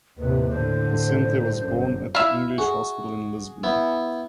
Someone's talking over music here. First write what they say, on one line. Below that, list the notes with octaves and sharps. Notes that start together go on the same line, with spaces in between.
Vicente was born at the English hospital in Lisbon.
D#2 A2 C3 B4
A2 D3 C5
G1 F#2
E4 E5 F5
F#4 G#4
B3 E4